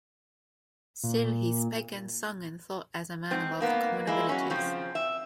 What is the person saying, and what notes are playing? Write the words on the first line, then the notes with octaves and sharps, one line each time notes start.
Still, he spake and sung and thought as a man above the common abilities.
A#2
G#2 C4
G#2 A#3 B3
G#3 A#3 E4
F#3 C#4
C#3 F3 C4
E5